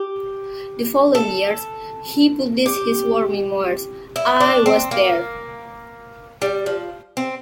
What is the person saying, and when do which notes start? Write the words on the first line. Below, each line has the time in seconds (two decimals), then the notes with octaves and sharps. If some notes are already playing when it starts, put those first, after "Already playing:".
The following year, he published his war memoirs, "I Was There".
Already playing: G4
1.15 A4
2.66 G4
4.16 E4
4.40 D4
4.66 C4
4.91 A#3
6.42 G3
6.66 F3
7.17 C4